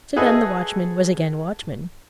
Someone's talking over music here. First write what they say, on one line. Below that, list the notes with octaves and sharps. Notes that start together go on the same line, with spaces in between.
So then the watchman was again watchman.
F#4 G#4 A4 B4 D#5 E5